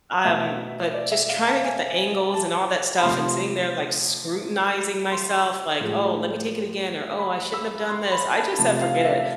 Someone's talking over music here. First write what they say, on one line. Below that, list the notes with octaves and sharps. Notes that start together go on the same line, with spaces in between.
Um, but just trying to get the angles and all that stuff and sitting there like scrutinizing myself, like, "Oh, let me take it again," or, "oh, I shouldn't have done this," I just said, "Forget it,
B2 A3 E5
D5
E5
F5
A5
G#5
A5
B5
C3 F3 A3 C6
C6
A2 F3 G#3
B5
E6
C6
B5
A5
C3 F3 A3 A5
F5
E5